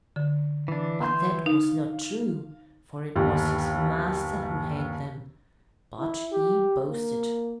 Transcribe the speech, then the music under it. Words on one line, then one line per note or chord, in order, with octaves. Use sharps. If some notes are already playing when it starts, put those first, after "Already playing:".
But that was not true, for it was his master who had them: but he boasted.
D3
E3 D4
E3 C6 G6
D#4 F5
G1 D#2
E4
G4
A#3